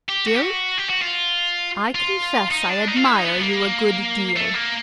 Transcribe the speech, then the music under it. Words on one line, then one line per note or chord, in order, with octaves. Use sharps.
Still, I confess, I admire you a good deal.
G4
F#4
G4
F#4
G4
F#4
F4
F4
D#4
D4
D#4
F4
E4
D#4
B3
A3
A#3
A3
A#3